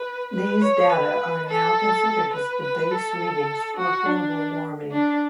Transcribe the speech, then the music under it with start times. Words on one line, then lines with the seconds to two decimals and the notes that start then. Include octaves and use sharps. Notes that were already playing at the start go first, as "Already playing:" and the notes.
These data are now considered as the base readings for global warming.
Already playing: B4
0.33 B4
0.61 C#5
0.90 B4
1.48 A4
2.33 B4
2.62 B4
2.92 A4
3.77 F#4
4.06 D4
4.92 D4